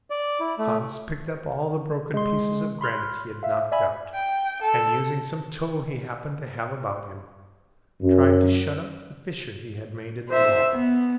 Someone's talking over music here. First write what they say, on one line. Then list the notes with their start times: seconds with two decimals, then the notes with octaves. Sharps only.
Hans picked up all the broken pieces of granite he had knocked out, and using some tow he happened to have about him, tried to shut up the fissure he had made in the wall.
0.10 D5
0.40 E4
0.58 A3
2.14 G#3 C6
2.81 B5 C6 F6 F#6
3.43 E5 F5
3.72 D5 E5 G#5 B5
4.14 G5
4.61 A4
8.02 F#2
10.29 C5 E5
10.71 B3